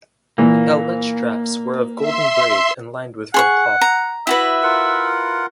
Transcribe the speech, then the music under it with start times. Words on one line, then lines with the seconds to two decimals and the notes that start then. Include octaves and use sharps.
Epaulette straps were of golden braid and lined with red cloth.
0.38 A#2 E3 A#3
1.97 E5 C6
3.34 G#4 F#5 C6 C#6
3.81 A#5
4.27 E4 F#4 B4 E5
4.63 F4 A#4 F#5